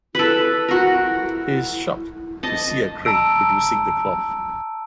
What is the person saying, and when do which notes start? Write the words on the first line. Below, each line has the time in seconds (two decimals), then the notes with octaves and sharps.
He is shocked to see a crane producing the cloth.
0.15 E4 A4 B4
0.68 F#4 A#4
2.43 D#5 A5
3.05 A5 A#5 E6 D7